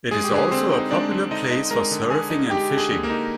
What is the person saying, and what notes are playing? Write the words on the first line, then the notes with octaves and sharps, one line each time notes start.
It is also a popular place for surfing and fishing.
G#3 G#4
G4
D3 G#4
D3 C4 C5
D#4
G#3 D4 D5
D3
D3 D#4 D#5
D#4
G#3 A#4 A#5
D3
D3 G#4 G#5
D#4
G#3 G4 G5
D3
G#4 G#5
D3
A#3 A#4
D#4